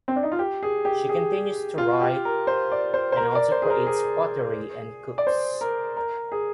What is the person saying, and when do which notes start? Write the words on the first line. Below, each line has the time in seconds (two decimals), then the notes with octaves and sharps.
She continues to write, and also creates pottery and cooks.
0.08 C4
0.16 D4
0.23 D#4
0.32 F4
0.39 G4
0.63 G#4
0.85 G4
1.09 G#4
1.78 F4
2.01 G4
2.25 A#4
2.47 C5
2.72 D5
2.94 C5
3.12 C5
3.17 A#4
3.35 D5
3.52 C5
3.62 G#4
3.70 A#4
3.87 G#4
5.18 D5
5.27 C5
5.61 A#4
5.97 A#4
6.32 G#4